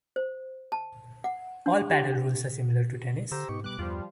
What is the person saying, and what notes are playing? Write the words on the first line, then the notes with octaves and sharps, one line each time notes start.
All paddle rules are similar to tennis.
C5
A5
F#5
D4
G4
D3 G4 C5 A#5 E6
G#2 B2 D#4 C#6
B2 G3 D6 F#6
E2 G2 F3 G3 F4